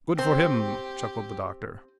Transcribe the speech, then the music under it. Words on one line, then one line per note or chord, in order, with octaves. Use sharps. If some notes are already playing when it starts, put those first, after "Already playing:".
"Good for him," chuckled the Doctor.
C4 G4